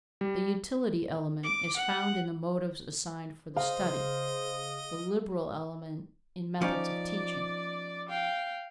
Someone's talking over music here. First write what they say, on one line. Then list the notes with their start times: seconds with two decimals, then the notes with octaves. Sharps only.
The "utility" element is found in the motives assigned for the study, the "liberal" element in methods of teaching.
0.21 G3
1.43 D6
1.76 F#5
3.56 C#3 C5 D#5 F5
6.62 F3 C#4 D#4 D5 D6
8.09 F5 G5